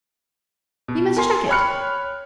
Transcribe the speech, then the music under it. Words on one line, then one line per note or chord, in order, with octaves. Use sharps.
You must check it.
B2
A#4 G#5 C6 C7
C#5 G5 B5 F6 F#6 C#7